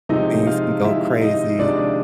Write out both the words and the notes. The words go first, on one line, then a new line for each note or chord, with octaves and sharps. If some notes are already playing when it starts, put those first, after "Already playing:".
things can go crazy,
C3 F3 G#3 D#4 D#5
F4 F5
C3 F3 G#3 E4 E5
D#4 D#5
C3 F3 G#3 D4 D5
D4 D5